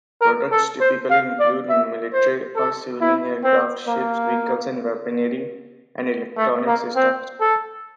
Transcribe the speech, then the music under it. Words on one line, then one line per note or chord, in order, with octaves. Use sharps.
Products typically include military or civilian aircraft, ships, vehicles, weaponry, "and" electronic systems.
A#4
A4
C5
F5
D5
E5
C5
A4
E4
C4
A#3
A3
A#3
C4
A4